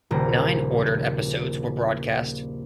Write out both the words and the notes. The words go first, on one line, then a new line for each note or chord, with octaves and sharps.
Nine ordered episodes were broadcast.
D#1 A#1 C#3 A#5